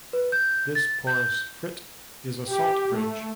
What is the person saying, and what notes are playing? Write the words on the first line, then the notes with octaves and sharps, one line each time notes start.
This porous frit is a salt bridge.
B4
G6
A6
G6
G4
A3